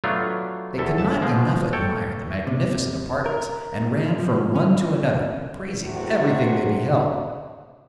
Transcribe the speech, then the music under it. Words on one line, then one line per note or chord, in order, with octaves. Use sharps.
They could not enough admire the magnificent apartments, and ran from one to another praising everything they beheld.
F#3 A3 B3 D4 F4
E2 A4 E5
G1 E5 A5
B2 F3 G#3
A4 C#5 G5
C3
A#4
F3
C#4
E2 A2 C3 F#4